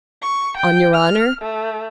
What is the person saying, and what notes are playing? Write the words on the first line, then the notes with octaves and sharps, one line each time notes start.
"On your honor?"
C#6
G5
F6
A3